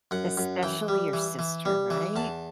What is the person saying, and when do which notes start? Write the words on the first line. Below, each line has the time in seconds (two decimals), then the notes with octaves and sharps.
Especially your sister. Right?
0.11 F#2 F#5
0.37 F#2
0.63 E3 G5
0.88 G3
1.13 E3
1.39 E3
1.65 G3
1.90 E3
2.16 E2 A5